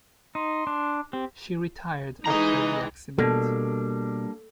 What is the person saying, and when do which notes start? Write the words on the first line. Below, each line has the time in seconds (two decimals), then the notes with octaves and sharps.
She retired after the accident.
0.35 D#4 C6
0.67 D4
1.13 C4 G4
2.26 E3 G#3 D#4 D#5 A#5
3.19 B2 G3 A#3 D4 A4